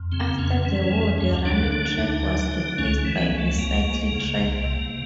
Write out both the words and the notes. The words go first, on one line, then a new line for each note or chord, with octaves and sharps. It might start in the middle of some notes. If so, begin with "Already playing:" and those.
After the war the running track was replaced by a cycle track.
Already playing: F2
C#3 C4
F2 C#4
E3
F2
D2 C#4
D3 D4
D3 D4
D4
D2 D#4
D3
D3
C#2 C#4
C#4
E3
B3
C#2
A3
C#2 A#3
C#2
C#3
C2
C3